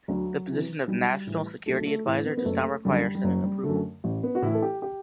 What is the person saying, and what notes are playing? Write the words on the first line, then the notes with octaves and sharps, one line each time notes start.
The position of National Security Advisor does not require Senate approval.
D2 F#3
C3 E3
B1 G3
A2 E3
B1 A3
A3
A2 E3
B3
B3
F#1 A3
F#2 D3 G3
G3
F#1 F#3
G3
F#2 D3 A3
A1
B3
F#4
A2 E3 E4
A4
G4
G4